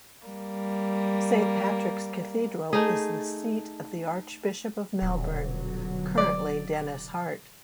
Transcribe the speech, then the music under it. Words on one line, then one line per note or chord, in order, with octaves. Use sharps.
Saint Patrick's Cathedral is the seat of the archbishop of Melbourne, currently Denis Hart.
G3 A#3
A3 D#4 G#4
D#1 B2 D3 F#3
D5